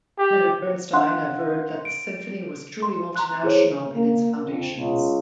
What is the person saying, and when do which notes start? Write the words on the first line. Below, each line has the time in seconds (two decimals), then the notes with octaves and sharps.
Leonard Bernstein averred that the symphony was truly multinational in its foundations.
0.19 G4
0.93 D4 F5 F#5 C6 F#6
1.85 D7
2.82 C6
3.16 A#5 C6 F#6
3.43 E4 G#4 A4 C5 C#5
3.95 A#3
4.47 F2
4.77 C#2